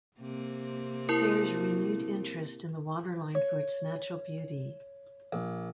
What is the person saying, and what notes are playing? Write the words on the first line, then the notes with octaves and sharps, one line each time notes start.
There is renewed interest in the waterline for its natural beauty.
C3 A#3 C4
E4 A#4
C#5
A#1